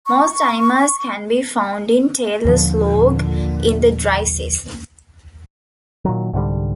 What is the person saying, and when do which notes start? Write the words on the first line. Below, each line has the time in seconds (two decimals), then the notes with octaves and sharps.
Most animals can be found in Taylor Slough in the dry season.
0.06 C#6
2.45 D#2 A#2 D3 F3
6.05 A#2 D#3 F#3
6.33 C2 G#2 D3 G3